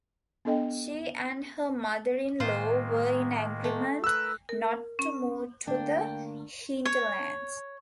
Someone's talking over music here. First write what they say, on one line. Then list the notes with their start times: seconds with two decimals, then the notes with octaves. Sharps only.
She and her mother-in-law were in agreement not to move to the hinterlands.
0.45 B3 D4 A4 D#5 G5
2.40 A2 D#3 G#3 A#3 F4 C5
3.64 A3
4.04 A#4 B4 E6 F#6
4.49 A#4
4.99 C#4
5.67 D3 A3 A#3 D4 G5
6.85 C#5